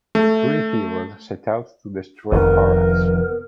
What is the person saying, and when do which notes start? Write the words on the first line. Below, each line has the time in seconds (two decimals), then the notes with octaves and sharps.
Three heroes set out to destroy Korax.
0.15 A3
2.32 F1 F2 D#3 B3 A#4